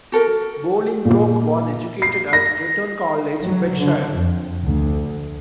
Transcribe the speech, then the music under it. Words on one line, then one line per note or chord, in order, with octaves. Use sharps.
Bolingbroke was educated at Eton College, Berkshire.
F#4 A4 A#4
A#2
C7
A#6
F#3
D3
F2
D2